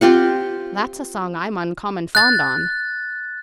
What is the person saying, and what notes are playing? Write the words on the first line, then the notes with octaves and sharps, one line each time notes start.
"That's a song I'm uncommon fond on."
C4 F4 G4 F#5
F#6 A6